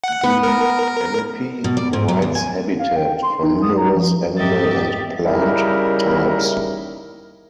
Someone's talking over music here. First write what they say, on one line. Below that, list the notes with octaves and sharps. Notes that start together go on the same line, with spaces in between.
The Ennepe provides habitat for numerous animal and plant types.
F#5
B3
A#4
B2
D5
G#2
F#3
D#2
G#5
F5
G5
C6
D#4
D#6
A#5
F3
G#2 G4 D#5 E5 A6
C#3 G3 D#4 E4 A#4